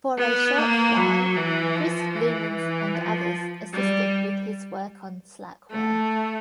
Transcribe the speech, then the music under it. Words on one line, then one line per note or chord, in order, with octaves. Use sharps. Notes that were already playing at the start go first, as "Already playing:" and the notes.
For a short while, Chris Lumens and others assisted with his work on Slackware.
B3
A#3
F#3
E3
F3
E3
E3
F3
G3
A3